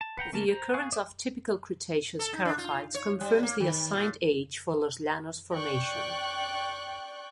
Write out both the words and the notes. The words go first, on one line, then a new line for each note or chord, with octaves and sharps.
The occurrence of typical Cretaceous charophytes confirms the assigned age for Los Llanos Formation.
A5
B4 F#5 G5 A#5
C#3 A3 A#3 A#4 A5
C5 A#5
G#4 F5 G#5 C#6 F#6
C5 D5 E5 D6 D#6
A4
D#4
D4
F4
C#5
G3
A#3
D#3
A#2
D5 G5 C#6 F#6